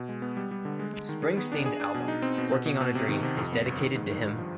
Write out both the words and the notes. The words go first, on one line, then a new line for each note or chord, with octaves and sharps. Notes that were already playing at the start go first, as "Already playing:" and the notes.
Springsteen's album, "Working on a Dream", is dedicated to him.
Already playing: B2
G#3
B3
G3
G3
D3
G#3
G#3
D#3
G#4
B3
D4
G#4
D4
B2
D#4
C4
B2
B2
B2
B2
C3
D#3
C3
F2
B3
G1
D#3
G#2
D#3
G2
F3